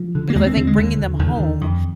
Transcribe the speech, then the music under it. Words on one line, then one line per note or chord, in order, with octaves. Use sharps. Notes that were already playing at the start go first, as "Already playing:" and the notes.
Because I think bringing them home
Already playing: F3
D3
A#3
D#2 G#3
C4
D3 C4
G#3
D#2 D3
D3
D#2 D#3
D3
D#3
D3
F2